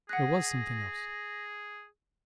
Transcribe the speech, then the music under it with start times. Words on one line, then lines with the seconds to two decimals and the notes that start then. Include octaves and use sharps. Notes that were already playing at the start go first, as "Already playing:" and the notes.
There was something else.
0.09 G#4 F#5 F#6 A#6